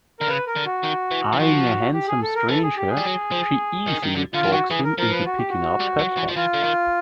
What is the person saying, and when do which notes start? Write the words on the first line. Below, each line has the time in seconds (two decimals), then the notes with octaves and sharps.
Eyeing a handsome stranger, she easily talks him into picking up her tab.
0.20 D3 A#4
0.28 C#3 B4
0.47 A#4
0.56 D3
0.65 F#4
0.84 D#3
1.11 E3
1.33 E3
1.39 F3 F#4
1.94 G4
2.08 G#4
2.22 A4
2.35 A#4
2.49 E3 A4
2.63 G#4
2.77 G4
2.90 G#4
2.97 G3
3.05 F#3
3.32 F3
3.87 D#3
4.03 D#3
4.16 D3
4.34 D3 F4
4.43 E3
4.51 D#3 F#4
4.70 E3 G#4
4.84 A#4
4.98 F3 A#4
5.11 B4
5.26 F#4
5.38 G4
5.49 F#4
5.80 G3
5.99 F#3
6.17 E3
6.28 F3
6.36 E3 F4
6.54 D3
6.64 D#3